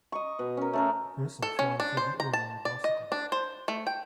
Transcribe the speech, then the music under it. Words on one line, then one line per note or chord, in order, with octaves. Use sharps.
A person flying through the air on a bicycle.
D#5 C#6
B2
C#4 A#4
A3 C#4 A#4
A4
C#4
D4
C5
A#5
A5
D5
D#5
D4
C5
A3
G5